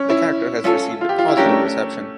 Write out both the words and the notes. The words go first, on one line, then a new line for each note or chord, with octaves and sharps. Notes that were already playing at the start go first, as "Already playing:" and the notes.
The character has received positive reception.
Already playing: C#4
E4
C#4 F4 A4
F4
G4
F4
E4
C#4 D4 G4 A#4
A3